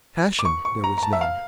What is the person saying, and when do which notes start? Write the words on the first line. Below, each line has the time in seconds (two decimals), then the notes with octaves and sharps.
Passion there was none.
0.39 D6
0.45 C#6
0.65 C#6
0.84 A#5
0.98 A#5
1.03 A5
1.13 E5
1.21 F5